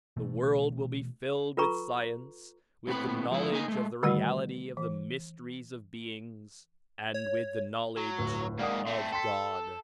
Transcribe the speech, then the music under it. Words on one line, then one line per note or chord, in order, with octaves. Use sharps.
The world will be filled with science, with the knowledge of the reality of the mysteries of beings, and with the knowledge of God.
B2 E3 A3
F4 A4 B4 A#5 C#6
A2 B3 C4 B4 B5
F3 G#3 B3 E4
A#3 D#4 B4 D#5 G#5
G#3 A3
D3 D#3 G3 A3 F#4 F#5
E3
C#5
F#3
D1 G1 A2
G#2 A#3 D5 F#5 D#6
A3 C4
A4 G5 C6 B6